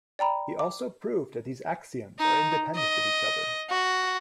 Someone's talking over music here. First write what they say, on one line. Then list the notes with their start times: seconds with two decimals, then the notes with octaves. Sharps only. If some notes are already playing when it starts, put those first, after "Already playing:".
He also proved that these axioms are independent of each other.
0.19 D5 G5 A#5 B5
0.59 D6
2.19 D#4
2.76 D#5
3.70 F#4